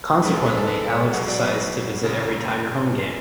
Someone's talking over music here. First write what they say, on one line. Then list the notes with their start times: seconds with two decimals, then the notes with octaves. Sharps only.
Consequently, Alex decides to visit every Tiger home game.
0.22 C#2 C#3 E3 G#3 B4
0.34 A4
0.45 G#4
0.57 A4
0.68 B4
0.90 C#5
1.13 B1 B2 F#3 B3 F#5
1.28 D5
1.44 B4
2.03 G#1 F#2 C#3